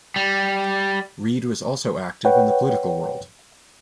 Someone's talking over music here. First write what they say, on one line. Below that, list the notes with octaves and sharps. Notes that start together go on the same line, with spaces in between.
Reed was also active in the political world.
G3
B4 C#5 F#5 G5